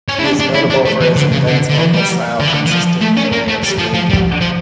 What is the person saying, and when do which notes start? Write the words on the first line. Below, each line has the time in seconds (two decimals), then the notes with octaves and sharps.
He is notable for his intense vocal style, consisting mainly of screaming.
0.08 C#4
0.19 E4
0.24 D4
0.39 D4
0.55 E4
0.70 D4
0.86 A3
1.01 E3
1.16 D3
1.32 C#3
1.47 D3
1.69 D3
1.79 E3
1.94 G3
2.40 D3
2.47 E3
2.54 D3
2.66 E3
2.71 F3
3.01 A3
3.17 C#4
3.32 A#3
3.48 A3
3.64 G3
3.79 F3
3.94 F3
4.10 G3
4.41 F3